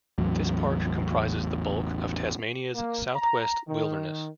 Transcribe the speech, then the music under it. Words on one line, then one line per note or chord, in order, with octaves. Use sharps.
This park comprises the bulk of Tasmania's South West Wilderness.
A1 E2 F#3
A#3
A#5
D#3